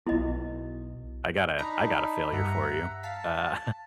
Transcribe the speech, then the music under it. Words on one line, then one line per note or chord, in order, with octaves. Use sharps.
I got a I got a failure for you, uh
B1 B3 E4 D#5
D4 D#4 A#5 B5
G2 E5 F#5 A#5
F5 A5 B6